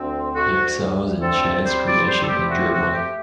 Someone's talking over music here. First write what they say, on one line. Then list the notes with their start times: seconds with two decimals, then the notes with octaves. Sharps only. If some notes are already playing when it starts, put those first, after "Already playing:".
He excels in chance creation and dribbling.
Already playing: D2 C4
0.35 D2 F#4
0.78 D2
1.21 C4 A4
1.64 G3 C5
1.86 D5
2.07 C4 C5
2.23 A4
2.28 G4
2.50 A3 F#4
2.67 G4
2.71 F#4
2.93 A3 G4